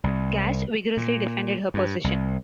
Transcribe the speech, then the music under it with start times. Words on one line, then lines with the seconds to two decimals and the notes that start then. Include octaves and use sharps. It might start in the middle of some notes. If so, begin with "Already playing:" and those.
Gash vigorously defended her position.
0.04 C2
0.97 A#2
1.74 G2
2.04 C2